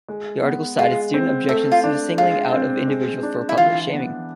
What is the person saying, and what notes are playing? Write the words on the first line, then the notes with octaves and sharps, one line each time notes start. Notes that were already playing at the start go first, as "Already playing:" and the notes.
The article cited student objections to the singling out of individuals for public shaming.
G#3
B3
G#3 F4
C4
A3 E5
F4
D4
G#3 F4
C4
G#3
D4
E4
E3 F4
B3